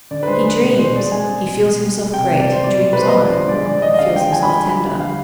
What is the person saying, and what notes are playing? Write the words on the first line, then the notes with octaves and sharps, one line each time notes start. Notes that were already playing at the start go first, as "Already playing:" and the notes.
He dreams, he feels himself great; he dreams on, and feels himself tender.
D3 D5
B4
G#3 C5
G#3 B4
B2
B2 C5
G#3 D5
G#3 G#5
G#3
B2
B2
G3
G3
C3 G5
C3
D5
C3 C5
G3 D5
B2 D5
B4
G3 C5
D#5
F3 D5
D3 C5
G#3 D5
G#3 D5
G#3 D#5
D#5
D3 F5
G#3 G5
F3 G#5
B5
D3 G#5
G3 B5
D3
G3 F5